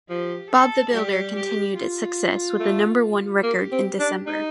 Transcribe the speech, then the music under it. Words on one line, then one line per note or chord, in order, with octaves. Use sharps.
Bob the Builder continued its success with the number one record in December.
F3 G4
A4
G3 G4
G4
F4
A3
A#3 G4
C4
D4
D#4